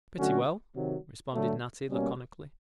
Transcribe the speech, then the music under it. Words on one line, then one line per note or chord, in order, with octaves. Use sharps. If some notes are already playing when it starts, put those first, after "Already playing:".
"Pretty well," responded Natty laconically.
D3 F#3 A3 C#4 F#4
C3 D#3 F#3
D3 F#3 A3
B2 G3 A#3 C#4